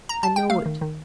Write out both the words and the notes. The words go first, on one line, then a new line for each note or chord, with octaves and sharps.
I know it.
A#5
A5
G5
A3 F5
D#3
D#3